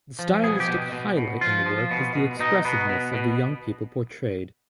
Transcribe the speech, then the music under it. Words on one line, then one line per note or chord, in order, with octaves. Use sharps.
The stylistic highlight in the work is the expressiveness of the young people portrayed.
F3
B2 G#4
G4
B2
B2
B2
F3 F4
F3
B2
B2
B2 D#4
B2 B3
B2
B2